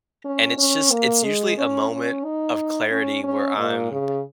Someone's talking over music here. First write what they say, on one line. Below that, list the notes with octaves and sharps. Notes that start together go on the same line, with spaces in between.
and it's just it's usually a moment of clarity where I'm
C#4
C#4
A#3
G#3
C#4
C#4
D#4
C#4
C#4
A#2
C#3